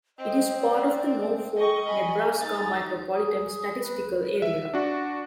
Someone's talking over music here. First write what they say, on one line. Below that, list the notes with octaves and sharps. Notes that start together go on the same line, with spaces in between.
It is part of the Norfolk, Nebraska Micropolitan Statistical Area.
C4 D#5
D5
D#5 G5 C#6
G#5 B5
D#4 A6
G#4
B4
E5
D4 F#4